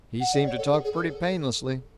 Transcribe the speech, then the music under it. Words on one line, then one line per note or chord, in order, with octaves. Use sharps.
He seemed to talk pretty painlessly.
F#5
D5
C#5
A4
G#4
G#4
A4